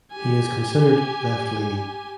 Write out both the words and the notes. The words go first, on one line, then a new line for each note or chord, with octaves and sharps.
He is considered left-leaning.
G4 G#5